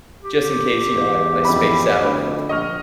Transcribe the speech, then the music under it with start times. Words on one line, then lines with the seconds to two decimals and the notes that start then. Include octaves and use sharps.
just in case, you know, I I space out and,
0.22 G4
0.94 E2
1.45 F2 B5
2.00 D2
2.49 A#1 D#5 C#6 F6